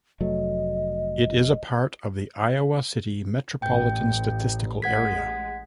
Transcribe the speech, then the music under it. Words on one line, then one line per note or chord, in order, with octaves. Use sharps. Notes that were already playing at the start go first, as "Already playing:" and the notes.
It is a part of the Iowa City Metropolitan Statistical Area.
F1 F#3 A3 D#5
A1 G5 G6
A1 G#3 F#5 G#6 B6